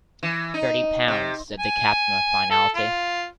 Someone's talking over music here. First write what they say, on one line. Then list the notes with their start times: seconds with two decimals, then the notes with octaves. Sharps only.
Thirty pounds, said the captain with finality.
0.23 E3
0.54 D#4
1.08 C3
1.60 G#5
2.51 A4
2.75 F4